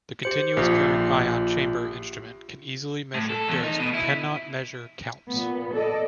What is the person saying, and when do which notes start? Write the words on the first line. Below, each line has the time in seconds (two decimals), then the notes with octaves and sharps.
The continuous current ion chamber instrument can easily measure dose but cannot measure counts.
0.23 G4 C5 C#7
0.57 A#1 F4 G4
3.14 A2
3.30 A4
3.49 E2
3.64 D#4
3.80 B2
3.94 E4
5.30 A#2 B3
5.73 A4 D5 D#5